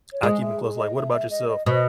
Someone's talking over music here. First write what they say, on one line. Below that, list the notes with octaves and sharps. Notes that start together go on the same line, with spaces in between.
I keep 'em close, like What about yourself?
C#5
G#3 D#5
E5
D#5
E5
E5
D#5
D#5
B2 D#5